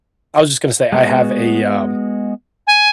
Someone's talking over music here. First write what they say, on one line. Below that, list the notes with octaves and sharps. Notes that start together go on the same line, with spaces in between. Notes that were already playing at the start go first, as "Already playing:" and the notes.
I was just gonna say, I have a, um
G#3 B3 F#4
G#5